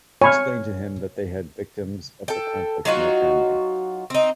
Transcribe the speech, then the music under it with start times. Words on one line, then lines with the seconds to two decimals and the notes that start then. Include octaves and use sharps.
They explained to him that they had victims of the conflict in their family.
0.22 C#5 G#5 B5 F6
2.28 A4 G5
2.85 F#3 D#4 F4 F#4
4.10 C4 D#4